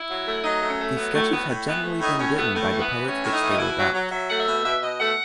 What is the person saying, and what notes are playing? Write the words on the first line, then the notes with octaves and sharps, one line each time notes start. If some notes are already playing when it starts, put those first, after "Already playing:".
These sketches had generally been written by the poets which they were about.
Already playing: E4
F#3
A3
F#3 D#4
A3
C#4
A3
F#3 B3
A2 A3
A2 B3
A2
E3 B3
A3
A2 D#4
A2 C#4
A3 B3
A2 A3
E3
B3
E3
A2 C#4
A2
D#4
E3
D#4
B2 E4
F#3
F#3
F#3 E5
A3 F#5
E5
B2
B2 E5
B2 D#5
A3 F#5